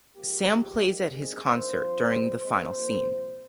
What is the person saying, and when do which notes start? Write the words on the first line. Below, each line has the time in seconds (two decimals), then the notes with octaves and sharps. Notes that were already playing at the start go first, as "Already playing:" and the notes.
Sam plays at his concert during the final scene.
0.16 G#2 F3 A#3 G4
0.48 G#2 F3 G#3
0.81 G#2 G3 A#3
1.12 G2 D#3 G3 C4 G#4
1.44 G2 D#3 A#3 C5
1.76 G2 F3 C4
2.09 F2 C#3 G3 C4
2.40 A#2 G#3 C4 C5
2.73 G2 F3 A#3
3.06 C2 A#2 F3